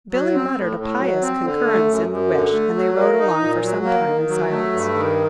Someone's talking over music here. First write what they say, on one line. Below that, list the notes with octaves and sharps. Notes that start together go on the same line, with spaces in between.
Billy muttered a pious concurrence in the wish, and they rode along for some time in silence.
F#3
C4
A2
A2
F#3
C4
D3
A3
F#2
F#2
D3
A3
F#3
A#3
D#4
A#2
F#3
A#3
D#3
F#3
A3
G2
D#3